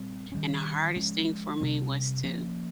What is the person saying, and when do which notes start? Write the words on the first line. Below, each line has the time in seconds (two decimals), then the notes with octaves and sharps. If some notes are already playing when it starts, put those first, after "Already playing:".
and the hardest thing for me was to
Already playing: A#2 G3 C4
0.32 D#3 G3 C#4
0.96 F3 G#3 C#4
1.60 C3 G3 C4
2.24 F3 A#3 C#4